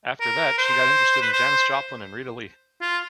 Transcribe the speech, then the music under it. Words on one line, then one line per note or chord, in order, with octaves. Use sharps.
After that, she got interested in Janis Joplin and Rita Lee.
A#4
C5
B4
C5
F4